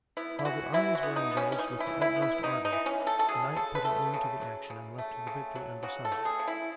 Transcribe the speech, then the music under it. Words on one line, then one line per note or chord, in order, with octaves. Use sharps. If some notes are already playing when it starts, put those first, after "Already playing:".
While the armies were engaged with the utmost ardor, night put an end to the action and left the victory undecided.
B3 E4
E4
E3 F#4
E3 E4
F#4
B3
D#4
B3
C#4
C#4
E3 D#4
E4
E3
E4
B3
E4
B3 D#4
D#4
E3
C#4
E3
A4
A4
F#3 G#4
C#3 A4
B4
A3 A4
C#3
F#3
C#3
A3
C#3
F#3
C#3 F#4
A4
A3
G#4
C#3
E4